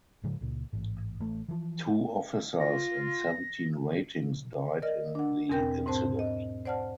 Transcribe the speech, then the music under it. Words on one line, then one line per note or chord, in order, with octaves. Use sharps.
Two officers and seventeen ratings died in the incident.
G#2 C#3 F3 G#3
C#2 A#2
A1 G#2
A1 A3
E3 F3
F4 A#6
A#4 D5 D#5 F6
D4 F#5
E2 B2 C4 A#4 G5 G6
G#2 C4 C5 A5
D#5
C5 D5 F#5 A5 F6